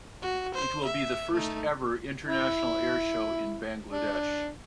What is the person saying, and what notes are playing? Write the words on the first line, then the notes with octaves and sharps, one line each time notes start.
It will be the first ever international air show in Bangladesh.
F#4
C5
E5
A3 D#4
E4
D4